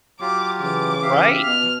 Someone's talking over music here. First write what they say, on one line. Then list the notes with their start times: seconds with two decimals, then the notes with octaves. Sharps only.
Right, mhm.
0.21 F#3 F4 G4 D6
0.61 C#3 E3 D6
1.02 G4 E5 F5
1.43 B2 F6